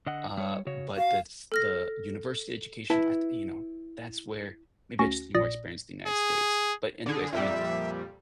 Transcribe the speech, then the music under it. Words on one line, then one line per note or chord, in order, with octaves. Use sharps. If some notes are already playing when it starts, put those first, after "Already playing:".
uh, but that's the university education, I thi you know, that's where maybe I just need more experience in the United States, but anyways, I mean,
D3 D#5 F#5
G3 C#5
C#3 F#4 C#5
F#4 F5
A4 F6 A#6
E4 B4 A5
D2 C#4 F#4 A#6
A#1 A#2 D5 D#6 A#6
G#4
D3 G#4
F2 A#2 G3 E5